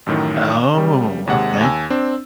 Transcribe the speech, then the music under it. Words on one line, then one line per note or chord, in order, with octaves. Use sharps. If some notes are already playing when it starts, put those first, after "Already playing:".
Oh, okay.
A1 F#2 A2 D#3
C#3 G3
D#2 C3 G#3 F#5
D#2 G#5 E6
C4 D4